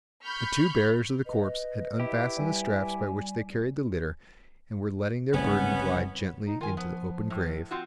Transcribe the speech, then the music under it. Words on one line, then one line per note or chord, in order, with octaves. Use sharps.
The two bearers of the corpse had unfastened the straps by which they carried the litter, and were letting their burden glide gently into the open grave.
B5 C#6 F6 G6 B6
B4 D#5
E4 G4
G3 G#5
F#1 C2 B3 C#4
D#4
D#3 F4 G#5
F3 B3
A2
C4 F4 F#4